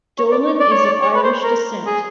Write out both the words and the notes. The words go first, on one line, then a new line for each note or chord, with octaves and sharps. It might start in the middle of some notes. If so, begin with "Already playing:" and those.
Dolan is of Irish descent.
C#5
D5
C#5
D5
C#5
D5
C#5
B4
C5
A#4
G#4